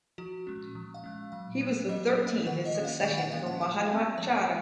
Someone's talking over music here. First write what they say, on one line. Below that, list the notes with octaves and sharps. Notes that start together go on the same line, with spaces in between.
He was the thirteenth in succession from Madhvacharya.
F3 F#4
G#3 C#4
F3
F5
G#3 C#4
F#3 F5
A#3 C#4
F#3 D#5
A#3 C#4
D#3 F#5
D#5
A#3 C#4
F5
D#3 F5
F#5
A#3 C#4 F5
F#5
F3 F5
G#3 C4
F3 C#5
G#3